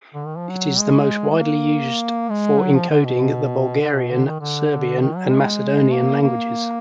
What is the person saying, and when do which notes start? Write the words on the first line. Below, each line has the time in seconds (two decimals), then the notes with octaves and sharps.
It is the most widely used for encoding the Bulgarian, Serbian and Macedonian languages.
0.14 D3
0.26 D#3
0.38 F3
0.49 F#3
0.79 G#3
1.31 G#3
1.39 A#3
2.29 G#3
2.60 F#3
2.74 F3
2.90 D3
3.05 B2
3.81 D3
3.95 B2
4.11 D3
4.26 D#3
4.40 D3
5.01 D#3
5.16 F#3
5.31 G#3
5.92 A#3
6.22 A#3